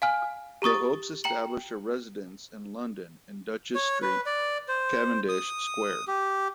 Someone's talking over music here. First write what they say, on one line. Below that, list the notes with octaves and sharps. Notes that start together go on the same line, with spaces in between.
The Hopes established a residence in London in Duchess Street, Cavendish Square.
F5 G#5 F6
G4 A#5 C#6 D#6 A6
G5 A#5 C#7 F#7
C#5
B4
D5
C5
D#6
G4